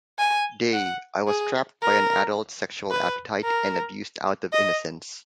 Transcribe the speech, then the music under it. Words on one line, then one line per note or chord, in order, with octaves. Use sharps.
Day, I was trapped by an adult's sexual appetite and abused out of innocence.
G#5
F#5
G#4
A#4
B4
A#4
D#5